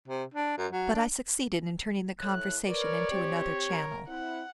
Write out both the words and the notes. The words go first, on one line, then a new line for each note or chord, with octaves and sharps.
But I succeeded in turning the conversation into another channel.
C3
D4
F#2
F#3
D4
A2 F#6
A#4 B4 C#5 D5
C4 G4
A#4
C4 E4 F#5